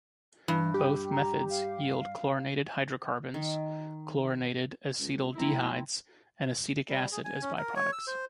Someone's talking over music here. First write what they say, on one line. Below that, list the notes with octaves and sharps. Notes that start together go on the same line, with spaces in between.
Both methods yield chlorinated hydrocarbons, chlorinated acetaldehydes, and acetic acid as byproducts.
G2 E3
G4
A#5
F5
D#3
C#2
F1 C4 E4 A#5
G3
G#4
G#5
C#4
A#4
C#5
E6
C5